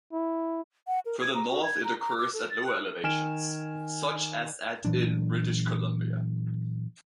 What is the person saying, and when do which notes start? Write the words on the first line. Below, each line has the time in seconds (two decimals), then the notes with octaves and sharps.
Further north it occurs at lower elevations, such as at in British Columbia.
0.13 E4
0.87 F#5
1.06 A#4
1.21 G#6
1.35 A#5
1.50 F#4
1.64 G#6
1.85 A#5
2.00 A#5
2.17 D6
2.34 A4
2.50 A6
2.66 F#6
3.04 D#3 G#5 F6 D7 E7
4.85 A#2 E3 F#3 D4